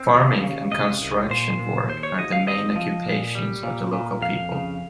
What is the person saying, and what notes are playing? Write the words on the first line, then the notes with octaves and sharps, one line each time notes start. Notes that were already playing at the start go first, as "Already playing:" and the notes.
Farming and construction work are the main occupations of the local people.
Already playing: C4
D#2
C#3
C3 D#5
C2
A#2 C5
A#2
D#2 C5
C#5
D#2 D#5
F5
C4 D#5
F3
A#2
G3
A#2
A#2
F2 F5
C#3